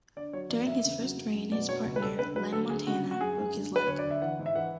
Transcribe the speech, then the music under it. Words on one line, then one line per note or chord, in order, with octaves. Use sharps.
During his first reign, his partner, Len Montana broke his leg.
D3 D5
F#3 C#5
E2 D5
E2 E5
C#3
F#3
F#2
F#2
B2 D5
F#3 C#5
C#2
B4
C#2 A4
D3 B4
F#3 B4
D2 A4
D2 G#4
C#3 F#4
F#3
F#4
F#2 G#4
F#2
D3
F#3 B4
D2 C#5
D5
D2
E5
E3 F#5
G#2
E5
E3 F#5